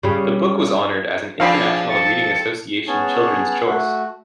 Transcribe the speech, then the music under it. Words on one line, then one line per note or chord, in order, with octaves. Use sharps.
The book was honoured as an International Reading Association Children's Choice.
C#3 G3
F3 C4 D4 G#4 F5 B5
A4 A6 C#7
B3 C#4 G#4 C#5 A5
A3 F#4